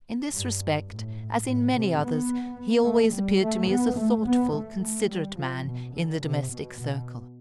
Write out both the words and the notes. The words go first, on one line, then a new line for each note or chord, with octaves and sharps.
In this respect, as in many others, he always appeared to me as a thoughtful, considerate man in the domestic circle.
G2
A2
A2
C3
B3
A3
G3
A3
B3
A3
B3
A3
A3
G3
F3
B2
D3
C3
B2
B2